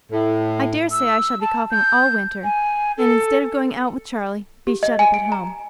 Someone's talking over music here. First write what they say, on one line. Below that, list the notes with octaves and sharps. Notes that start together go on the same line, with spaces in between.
I dare say I shall be coughing all winter, and instead of going out with Charley, be shut up at home.
A2
E6
A5
G6
G#5
A4
G4
D#5
G#5
D7
A#5